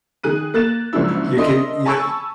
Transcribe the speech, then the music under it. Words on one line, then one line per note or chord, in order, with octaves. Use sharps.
you can, you know y
D#3 G#4 F#6 D#7
A#3 F#6 A6 E7
F#1 G#2 F3 D4 E4 E6
D4 A#4 D#5 E5 C6
G#5 A5 B5 C#6 E6